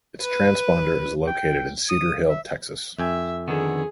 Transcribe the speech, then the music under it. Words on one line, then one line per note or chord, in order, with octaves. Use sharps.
Its transponder is located in Cedar Hill, Texas.
B4
G5
D#6
E5
F2 E5 G5 G#5
D3 D#3 B3 G#4